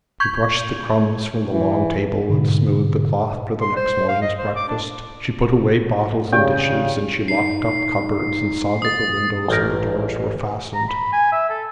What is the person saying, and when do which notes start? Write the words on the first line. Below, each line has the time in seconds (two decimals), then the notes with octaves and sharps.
She brushed the crumbs from the long table, and smoothed the cloth for the next morning's breakfast; she put away bottles and dishes, and she locked up cupboards, and saw that the windows and the doors were fastened.
0.20 C#6 G6 G#6
1.53 E3
2.30 G#2 B2 D3
3.62 C6
3.76 C5
4.09 F5
4.22 D#5
4.38 C5
4.56 D6
4.69 D4
6.32 C#3 G4 D5 G5
7.28 D#4 C7
8.82 D#6 A6
9.48 A1 A#4
10.75 A#5
10.89 B5
11.13 G#5
11.33 E5
11.50 A4